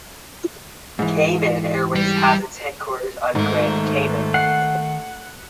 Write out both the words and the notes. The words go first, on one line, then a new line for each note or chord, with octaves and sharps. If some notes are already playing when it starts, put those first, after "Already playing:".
Cayman Airways has its headquarters on Grand Cayman.
G#2 E3
G3
G#2 D#3 A3 A#4
F#5 C7